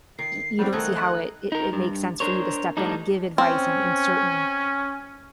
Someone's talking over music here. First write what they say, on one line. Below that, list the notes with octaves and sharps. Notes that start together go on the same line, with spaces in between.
y you don't see how it it it makes sense for you to step in and give advice in in certain
D#3 C7
G3 C4 F#4 G4 G5
D#3 A3 G#4 A#4 D#5 F#5 F#6
D#4 A#4
G2
D4 A#4 C5 C#5
A2 G3 D4 D#4
C4 C#4